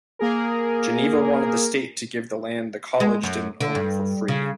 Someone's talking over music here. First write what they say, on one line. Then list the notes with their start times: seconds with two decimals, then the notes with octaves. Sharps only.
Geneva wanted the state to give the land the college didn't own for free.
0.19 A#3 G#4 A#4
3.00 G#3
3.23 F#2
3.61 D3
3.75 G2
4.28 C#3